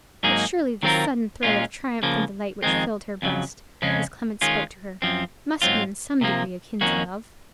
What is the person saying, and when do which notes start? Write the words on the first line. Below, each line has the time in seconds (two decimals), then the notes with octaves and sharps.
But surely this sudden thrill of triumph and delight which filled her breast, as Clement spoke to her, must be in some degree akin to love.
0.23 G#2 F#3 A#3 D#4 G#4
0.83 D#3 F#3 C4 F4 A#4
1.43 A#2 G#3 C#4 F4
2.03 C#3 F3 A#3
2.63 F2 D#3 G#3 C4
3.22 F2 C#3 F#3
3.82 F2 C#3 G#3 C#4
4.41 D#3 G#3 C#4 F4
5.02 F#2 F3 C4
5.62 G#2 F#3 C4 F4
6.21 C3 F3 A#3
6.81 F2 D#3 A#3 C#4 F#4